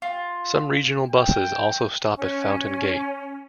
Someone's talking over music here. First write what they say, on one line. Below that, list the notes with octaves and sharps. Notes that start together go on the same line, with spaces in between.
Some regional buses also stop at Fountain Gate.
F4
G5
C#4